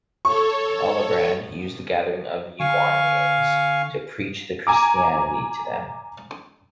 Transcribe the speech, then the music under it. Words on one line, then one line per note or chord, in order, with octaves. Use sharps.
Alabrand used the gathering of Ugaunians to preach the Christianity to them.
A4 C#5 C#6
D3 F5 G#5 C#6
G#5 A#5 D6